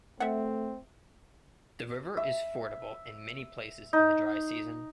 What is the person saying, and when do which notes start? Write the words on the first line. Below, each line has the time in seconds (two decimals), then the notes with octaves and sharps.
The river is fordable in many places in the dry season.
0.20 A3 C4 E5 F#5
2.17 E5
3.93 D#4